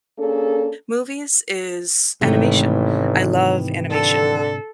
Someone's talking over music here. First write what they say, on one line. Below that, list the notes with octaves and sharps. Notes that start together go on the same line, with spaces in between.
movies is animation. I love animation,
A#3 C#4 D4 G#4 A4
A1 G#2 C3 D#3 E3 A3
D3 A4